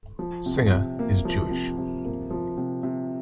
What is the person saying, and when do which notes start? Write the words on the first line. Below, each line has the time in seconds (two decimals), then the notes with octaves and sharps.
Singer is Jewish.
0.19 F3
0.46 C3
0.72 C3
0.99 A#3
1.25 F3
1.51 C3
1.78 C3
2.05 A#3
2.30 F3
2.58 C3
2.83 C3